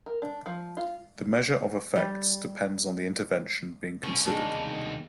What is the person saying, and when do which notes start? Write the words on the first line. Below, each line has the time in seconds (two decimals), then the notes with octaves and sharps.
The measure of effects depends on the intervention being considered.
0.06 A#4
0.22 D4
0.46 F3
0.77 F4
1.96 G3
4.03 C2 B2 C#4
4.26 D#2 G#3 D4 D#4